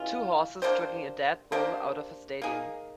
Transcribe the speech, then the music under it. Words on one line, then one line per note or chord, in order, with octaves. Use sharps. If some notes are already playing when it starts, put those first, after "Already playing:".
Two horses dragging a dead bull out of a stadium.
Already playing: E3 G#3 C#4 F4
A#3 D4 G4 C5
A#3 D4 G4 C5
A#3 D#4 G#4